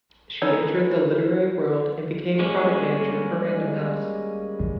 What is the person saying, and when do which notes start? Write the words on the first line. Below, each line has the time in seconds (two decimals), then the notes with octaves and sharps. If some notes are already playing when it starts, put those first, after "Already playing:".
She entered the literary world and became product manager for Random House.
0.42 E3 C#4 D#4 A4 C#5
2.39 G3 G#3 A#3 C#4